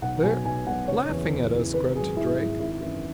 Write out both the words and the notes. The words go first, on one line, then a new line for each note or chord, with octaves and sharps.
"They're--laughing at us!" grunted Drake.
B1 F#5
B2 F#3 G#5
B1 G#5
B2 F#3 F#5
F#1 C#5
E2 E3
F#1
E2 E3
G#1 B4
G#2 F#3 G#4
G#1 E4
G#2 F#3
G#1 E4
F#2 E3 E4